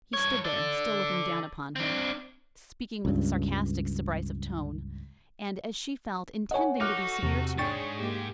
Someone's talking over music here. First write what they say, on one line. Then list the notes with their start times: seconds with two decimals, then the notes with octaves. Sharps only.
He stood there, still looking down upon her, speaking with a sarcastic subrisive tone, and, as she felt, intending to be severe to her.
0.13 G2 C#5
0.45 A4 D5
1.76 C4 D4
3.05 C#2 G2
6.51 C#5 D#5 F#5 G#5
6.81 D#4 F#4 A4 D6 F6 F#6
7.23 E2 C3
7.58 G#2 D4 G#4 C#5 G5 C#6 A6
7.98 G#3 A#3 G4